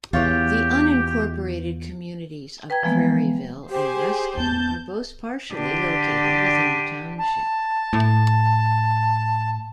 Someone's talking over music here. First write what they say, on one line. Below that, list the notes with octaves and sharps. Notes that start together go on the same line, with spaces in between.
The unincorporated communities of Prairieville and Ruskin are both partially located within the township.
E2 E3 F4 G4 C#5 F#5
B4 G5 A#5 G#6
E3 F3 G#3 A#3 B3
G4 G#4 C5
E2 B3 A5 G6
D3 G4
A5
A2